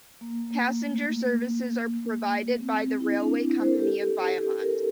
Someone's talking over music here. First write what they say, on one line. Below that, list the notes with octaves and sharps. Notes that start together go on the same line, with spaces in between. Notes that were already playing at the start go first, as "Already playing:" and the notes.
Passenger services are provided by the railway company of Viamont.
A#3
A#3
A3
A3
A#3
C4
C4
E4
D4
E4
C5
A#4
A4
G4
A4
A4
G4
A#4
A4